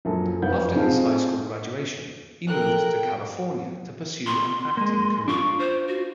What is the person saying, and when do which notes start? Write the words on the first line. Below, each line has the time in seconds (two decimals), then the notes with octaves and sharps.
After his high school graduation, he moved to California to pursue an acting career.
0.05 A#1 F#2 F#3 A4
0.42 F1 G2 F3 F#5 G6
0.75 C4 D#4 F4 G#4 A4 F5
2.49 A4 A#4 G5 F#6
2.85 G5
4.26 C6
4.77 G#3 A#3
5.28 D4 F4 C#6
5.59 C5
5.88 F#4